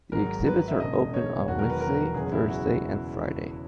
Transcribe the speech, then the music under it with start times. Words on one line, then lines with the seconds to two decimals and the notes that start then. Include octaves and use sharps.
The exhibits are open on Wednesday, Thursday, and Friday.
0.12 G#1 G#2 F#3 A#4
0.47 B4
0.58 B4
0.68 E5
0.79 E1 E2 C#3 D#5
1.14 C#5
1.47 E1 E2 D#3 F#3 F#4
1.59 A#4
1.70 B4
1.80 A#4
2.14 F#1 E2 B2 F#3 G#4
2.32 E4
2.49 F#4